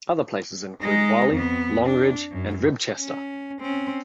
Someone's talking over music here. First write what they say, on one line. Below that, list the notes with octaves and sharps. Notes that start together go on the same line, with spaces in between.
Other places include Whalley, Longridge and Ribchester.
G#3 D#4
F2 B3
D4
F#2
C#4
C4 C#4